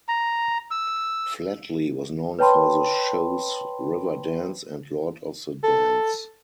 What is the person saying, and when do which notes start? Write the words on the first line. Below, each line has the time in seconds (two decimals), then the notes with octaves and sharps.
Flatley was known for the shows "Riverdance" and "Lord of the Dance".
0.08 A#5
0.71 E6
2.39 B4 C#5 G5 A5 B5 C6
5.63 A4